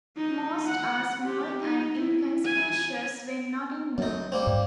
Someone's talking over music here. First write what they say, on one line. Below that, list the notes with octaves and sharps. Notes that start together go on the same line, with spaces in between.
Most are small and inconspicuous when not in bloom.
D#4
F#5
G4
D#4
E4
G#5
F#2 F#3 D#4
G3 A#3 C4
G#2